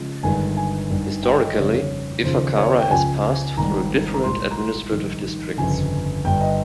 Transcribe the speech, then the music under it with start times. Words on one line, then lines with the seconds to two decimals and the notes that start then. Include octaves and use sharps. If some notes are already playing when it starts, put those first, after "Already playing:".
Historically, Ifakara has passed through different administrative districts.
Already playing: C#3 F3 G#3
0.23 G1 G2 D#3 G#3 G#5
0.57 G#5
0.90 G#1 G2 D#3 G3
1.23 G5
1.34 C#5
1.41 D#5
1.57 F2 C#3 G3 C#5
1.74 C#5
2.23 D#2 C#3 F3 C5
2.57 C#5
2.79 G5
2.91 C#2 C#3 F3 G#5
3.57 G#1 G#2 G3 A#5
4.14 A#5
4.24 C2 A#2 G#3 C6
4.51 A#5
4.57 C6
4.91 A#1 G#2 D#3 G3
5.58 G1 F2 C#3 G#5
6.24 G1 G2 G3 G5
6.41 D#5